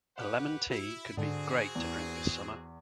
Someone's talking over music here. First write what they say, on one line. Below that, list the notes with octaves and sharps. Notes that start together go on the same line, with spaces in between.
A lemon tea could be great to drink this summer.
G4 B4 F#5
E4 F#4
G#2 D3 C4 F#4 G#4 A4
E2